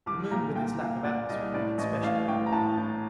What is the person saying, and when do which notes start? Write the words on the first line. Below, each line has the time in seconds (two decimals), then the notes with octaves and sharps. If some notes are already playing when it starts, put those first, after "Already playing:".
The Moon, with its lack of atmosphere, needed special equipment.
0.06 C2 D6
0.31 A#2 A#5
0.55 A#2 G5
0.80 A#2 F5
1.04 A#2 D5
1.30 C2 D#5
1.54 A2 D5
1.78 A1 D#5
2.03 A1 F5
2.27 A1 G5
2.46 A#5
2.52 A2 A5
2.77 A2